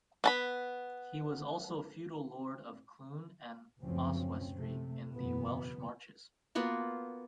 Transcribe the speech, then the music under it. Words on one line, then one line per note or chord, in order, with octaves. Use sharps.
He was also feudal Lord of Clun and Oswestry in the Welsh Marches.
B3 A5 B5
F#1 D2 B2 F3 C4 C#4
C3 A3
F#1 E2 B2 B3
A#3 B3 F4 F#4